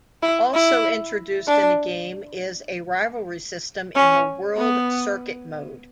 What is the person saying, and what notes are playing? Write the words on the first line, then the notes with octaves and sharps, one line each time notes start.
Also introduced in the game is a rivalry system in the World Circuit mode.
E4
E4
D4
C#4
B3